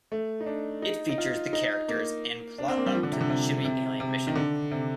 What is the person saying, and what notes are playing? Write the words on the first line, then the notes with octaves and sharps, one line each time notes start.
It features the characters and plot up to the Chibi Alien mission.
A3
D#4
D4
D#4
D#4
F4
D#4
A#3
D4
C4
A#3
G3
F3
D3
C3
D3
C3
C3
C3
D#3
D3
C3